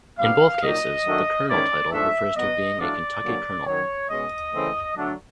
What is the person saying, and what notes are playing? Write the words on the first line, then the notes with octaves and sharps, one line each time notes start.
In both cases, the "Colonel" title refers to being a Kentucky colonel.
D3 G3 B3 F5
A#2 F#3 A#3 D#4 D#5
F#2 D#3 F#3 A3 D4
G#2 D#3 G#3 C#4 E4 D5
G#2 F3 A3 D4 E5
B2 F#3 B3 D#5
A2 F#3 A3 D4 F4 D5
D3 F#3 A#3 C#4
F#2 D#3 F#3 C#5
B2 G#3 C#4 D#5
C#3 E3 A3 C4
D3 F#3 A3 D4